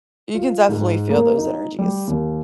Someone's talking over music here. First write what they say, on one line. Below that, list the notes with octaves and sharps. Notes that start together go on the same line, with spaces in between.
you can definitely feel those energies.
F4
G#2
A#3
D#4
G3
D#2